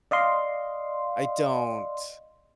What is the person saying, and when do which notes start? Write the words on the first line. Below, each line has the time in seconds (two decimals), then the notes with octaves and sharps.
I don't.
0.11 D5 D#5 F5 C6